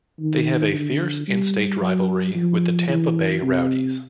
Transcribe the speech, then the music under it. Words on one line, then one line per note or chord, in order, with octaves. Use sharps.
They have a fierce in-state rivalry with the Tampa Bay Rowdies.
D#3
D3
G3
F#3
F3
E3
C3